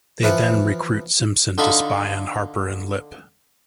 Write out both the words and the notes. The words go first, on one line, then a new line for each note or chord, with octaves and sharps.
They then recruit Simpson to spy on Harper and Lipp.
E3 F3 E4 F#5
D3 D#4 F4 A4 B5 C#6